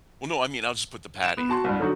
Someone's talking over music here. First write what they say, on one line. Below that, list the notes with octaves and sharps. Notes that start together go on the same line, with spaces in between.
Well, no, I mean, I'll just put the patty in
E7 F7
B3
F#4 A5 C6
C2 G2
D3 F#3 D#4 F#4